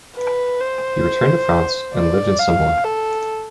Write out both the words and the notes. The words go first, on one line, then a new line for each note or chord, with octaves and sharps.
He returned to France, and lived at Saumur.
B4
C5
D5
F5
A4